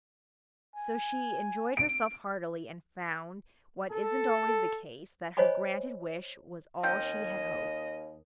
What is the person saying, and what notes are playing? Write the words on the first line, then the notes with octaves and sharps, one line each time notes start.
So she enjoyed herself heartily, and found, what isn't always the case, that her granted wish was all she had hoped.
G#5
D7
A4
C5 C#5 D#5 G#5 B5
D#2 C4 C#4 D#5 G5